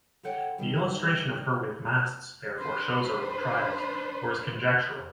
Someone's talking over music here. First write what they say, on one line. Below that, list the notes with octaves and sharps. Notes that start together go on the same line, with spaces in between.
The illustration of her with masts therefore shows her on trials, or is conjectural.
D3 A4 C#5 F#5 G5
G2 D#3 G3 D4
D4 B4 C5